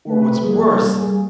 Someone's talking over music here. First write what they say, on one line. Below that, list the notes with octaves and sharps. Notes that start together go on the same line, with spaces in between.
or what's worse,
A3 B4
G3 A#3 G#4